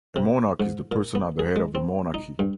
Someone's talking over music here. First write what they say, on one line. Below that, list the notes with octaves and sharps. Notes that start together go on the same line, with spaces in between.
A monarch is the person at the head of a monarchy.
C3
G#2
A#2
B3
G#4
G#3
C4
D#4
G2